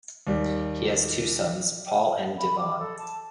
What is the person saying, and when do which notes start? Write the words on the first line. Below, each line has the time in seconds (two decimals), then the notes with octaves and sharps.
He has two sons, Paul and Devon.
0.27 D#2 G3
2.38 B5
2.58 D6
2.78 A4
2.97 A5